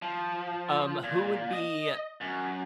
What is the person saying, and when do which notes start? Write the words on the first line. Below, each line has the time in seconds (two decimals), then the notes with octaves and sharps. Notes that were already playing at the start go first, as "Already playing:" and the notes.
Um, who would be
0.02 F3
1.04 A#2
1.53 D#5
2.21 F#2